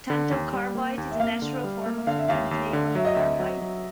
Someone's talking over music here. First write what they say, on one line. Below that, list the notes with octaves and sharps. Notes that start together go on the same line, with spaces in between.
Tantalcarbide is a natural form of tantalum carbide.
D3
D#2
G3
A#3
D#2
E5
A#3 F5
D3
G3
A#3
D3 F5
E5
D#2 F5
D#2
D3
F#3 E5
D#5
D2 E5
F#3
F#3